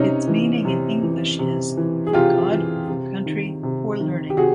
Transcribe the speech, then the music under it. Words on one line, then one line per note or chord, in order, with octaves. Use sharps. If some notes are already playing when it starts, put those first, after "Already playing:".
Its meaning in English is "For God, For Country, For Learning".
Already playing: C3 C#4 D#4
E3
C3
E3
C3
E3
G#4
C3 F4 G4
E3
C3
D#3
C3
D#3
G4
C3 F#4 G#4